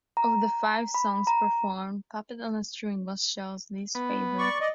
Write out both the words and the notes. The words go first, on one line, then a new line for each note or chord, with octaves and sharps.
Of the five songs performed, "Puppet on a String" was Shaw's least favourite.
A#5
B5
A#5
B3
D5 C#6
D5 D#5